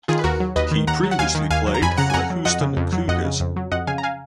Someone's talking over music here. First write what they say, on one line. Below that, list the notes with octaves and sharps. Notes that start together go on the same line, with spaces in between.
He previously played for the Houston Cougars.
D#3 F4 G#4
B4
D#2 F#4 A#4
F#3
D#2 B4 D#5
D#3
D#2 F#5 A#5
F#3
F#5
D#2 F5 G#5
D#3
D#2 F5 G#5
F#3
A#5
F2 G#5 B5
C#3 F#5 A#5
G#5
F2 F#5 A#5
F#3
F2 D#5 F#5
C#3
F2
F#3
F2 D#5 F#5
C#3
F2
F#3
F2 D#5 F#5
C#3 F5 G#5
A#5
F5 G#5